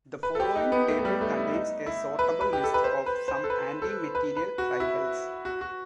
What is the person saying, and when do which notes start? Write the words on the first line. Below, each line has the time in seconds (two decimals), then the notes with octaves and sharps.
The following table contains a sortable list of some anti-materiel rifles.
0.23 B4
0.35 A4
0.40 G4
0.56 D#4
0.72 B3
0.88 A3
0.99 A3
1.05 G3
1.21 A3
1.37 E4
1.53 D#4
1.86 E4
2.19 B4
2.41 B4
2.53 G4
2.64 A4
2.74 B4
2.84 C5
3.06 B4
3.28 C5
3.44 A4
3.50 B4
3.82 A4
4.15 B4
4.37 B4
4.58 F#4
4.80 E4
5.45 F#4
5.61 F#4